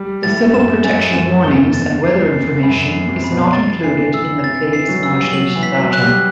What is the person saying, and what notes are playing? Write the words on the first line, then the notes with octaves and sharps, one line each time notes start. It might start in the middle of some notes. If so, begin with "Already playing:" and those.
The civil protection warnings and weather information is not included in the phase-modulated data.
Already playing: G3
A2 A6
F#2 E7
F#2 A6
F#2 E7
E2 G7
A6
C7
C7
F#2 B5
C7
C3
B5
B2
C3 A6
E3 C7
E3 E6
C3 A6
E3
C7
F#3
E6
G3
F#3 F#7
E3
B6
F#3
F#6
G3